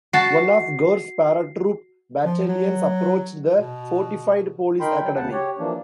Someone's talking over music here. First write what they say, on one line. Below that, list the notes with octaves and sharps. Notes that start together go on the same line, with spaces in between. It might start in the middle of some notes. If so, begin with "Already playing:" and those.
One of Gur's paratroop battalions approached the fortified Police Academy.
F#4 A5 C7
F3
F#3
B2
D#4 A#4 G5 B5 C6
F#3 G5
D2 C#3 F#5 A5
G4 C#5
E3 F3 A#3 D4